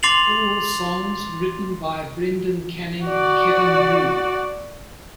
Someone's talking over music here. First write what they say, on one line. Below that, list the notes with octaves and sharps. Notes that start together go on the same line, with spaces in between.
All songs written by Brendan Canning and Kevin Drew.
C6 D6 A6 C7 F7 F#7
F#4 D5